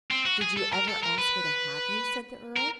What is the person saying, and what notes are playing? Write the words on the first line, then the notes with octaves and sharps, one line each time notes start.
"Did you ever ask her to have you?" said the earl.
C4
F#4
G#4
A4
A#4
A4
A#4
B4
A#4